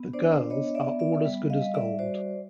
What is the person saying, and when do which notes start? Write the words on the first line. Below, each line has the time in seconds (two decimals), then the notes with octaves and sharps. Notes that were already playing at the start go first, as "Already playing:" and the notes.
The girls are all as good as gold.
Already playing: B3
0.13 D4 C5 D5
0.50 B3 C#5 D#5
0.75 D5 E5
0.87 B3
0.99 D5 E5
1.25 G3
1.50 D#5 F5
1.62 G3
1.74 D5 E5
1.99 F#4 C5 D5